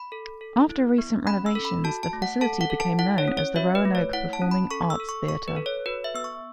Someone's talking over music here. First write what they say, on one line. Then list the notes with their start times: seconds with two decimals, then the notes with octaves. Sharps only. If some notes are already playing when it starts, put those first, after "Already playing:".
After recent renovations, the facility became known as the Roanoke Performing Arts Theatre.
Already playing: B5
0.12 A4
0.41 A4
0.69 E4
0.98 B3
1.26 C#4 B5
1.46 E6
1.55 A4
1.65 B5
1.84 F#4 A5
2.03 A5
2.13 A3
2.22 F#5
2.41 A4 A5
2.61 F#5
2.70 A4
2.80 A5
2.99 E4 F#5
3.18 C#5
3.28 C#4
3.37 C#5
3.56 F#4 E5
3.75 B4
3.85 A3
3.95 C#5
4.13 E4 F#5
4.33 A5
4.42 C#4
4.51 B5
4.70 A4 C#6
4.90 E6
5.00 A4
5.09 C#6
5.28 A4 C#6
5.48 B4
5.56 A4
5.66 C#5
5.86 F#4 B4
6.04 E5
6.14 B3 E6
6.24 C#6